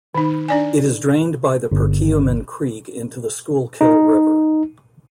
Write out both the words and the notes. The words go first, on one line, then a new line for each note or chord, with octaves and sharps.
It is drained by the Perkiomen Creek into the Schuylkill River.
D#3 D#4
D4 D5 G#5
G1
D#4